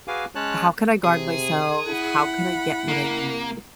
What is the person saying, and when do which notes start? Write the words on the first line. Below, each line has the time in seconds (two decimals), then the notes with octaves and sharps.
"How can I guard myself? How can I get what I need?"
0.08 F#4 G#4 B4 F5 G#5 D6
0.35 G#3 C#4 C#5 A5 F#6
1.04 C3 G#4
1.88 E4 F#5 B5
2.88 A#3